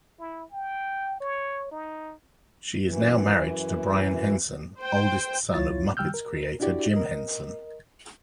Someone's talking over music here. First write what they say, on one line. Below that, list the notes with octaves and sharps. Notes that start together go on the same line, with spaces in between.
She is now married to Brian Henson, oldest son of Muppets creator Jim Henson.
E4
G5
C#5
D#4
F#2 E3
C5 G5
C#2 F#3 E4 F4 C#5 A6
D#3 G3 G5 E6 F6 G6
A#4
D4 E4 F#4 G4 D5
A#4 D#5